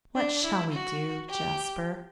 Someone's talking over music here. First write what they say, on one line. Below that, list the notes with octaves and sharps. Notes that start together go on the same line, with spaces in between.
'What shall we do, Jasper?'
D4
E4
F#4
G4